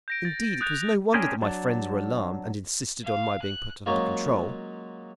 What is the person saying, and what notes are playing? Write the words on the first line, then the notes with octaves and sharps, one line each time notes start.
Indeed, it was no wonder that my friends were alarmed, and insisted on my being put under control.
G6 A#6 D7
A6
D#6 F#6 G6 A6 F7
C#4 D4 G4 G#4 A#4 C5
F#3 D4
F5
F#6
F#3 G#3 A#3 C#4 F4